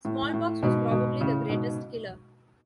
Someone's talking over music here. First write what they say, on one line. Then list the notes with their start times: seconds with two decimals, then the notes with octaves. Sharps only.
Smallpox was probably the greatest killer.
0.05 A2
0.34 A2
0.63 G#2 B2
0.91 G#2 B2
1.21 A2 C#3
1.49 G#2 B2